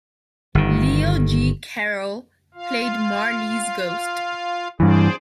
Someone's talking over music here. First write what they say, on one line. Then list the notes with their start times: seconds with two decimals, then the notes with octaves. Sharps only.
Leo G. Carroll played Marley's Ghost.
0.55 G1 D#3
2.54 F4 F5
4.80 G2 E3 G#4 C5 D5